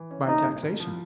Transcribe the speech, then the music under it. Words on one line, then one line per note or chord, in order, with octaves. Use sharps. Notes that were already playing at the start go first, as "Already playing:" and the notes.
By taxation.
Already playing: E3
C#4
A#2 D#4
C2
C2
F3